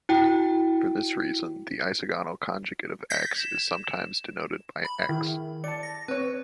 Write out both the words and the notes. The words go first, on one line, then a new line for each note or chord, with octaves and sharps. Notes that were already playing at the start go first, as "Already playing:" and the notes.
For this reason, the isogonal conjugate of "X" is sometimes denoted by "X".
E4 F#4 G5
G6 G#6 A#6 B6
E7
B5
D#3 E4 G#4
D5 A5 C#7
A#6
C4 B4 C#5